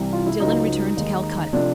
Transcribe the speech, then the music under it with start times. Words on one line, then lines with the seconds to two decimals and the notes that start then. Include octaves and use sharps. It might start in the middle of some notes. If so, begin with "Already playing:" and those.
Dillon returned to Calcutta.
Already playing: C2 C3 E3 G3
0.13 F4
0.26 E4
0.40 C#2 C#3 F#3 D#4
0.97 D#2 D#3 G#3
1.53 C3 F3 A3 D4